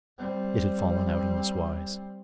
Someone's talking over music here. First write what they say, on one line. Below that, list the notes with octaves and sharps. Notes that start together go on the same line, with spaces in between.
It had fallen out in this wise.
G3 C4